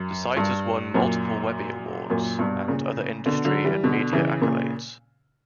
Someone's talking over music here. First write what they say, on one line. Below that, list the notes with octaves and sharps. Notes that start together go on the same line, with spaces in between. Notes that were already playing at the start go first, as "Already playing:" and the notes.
The site has won multiple Webby Awards and other industry and media accolades.
Already playing: F#2
G2
F#2 A#2
F#2 A#2
G2 B2
A#2 C#3
B2 D3
D3 F#3
E3 G3
B2 D3
C#3 E3
A#2 C#3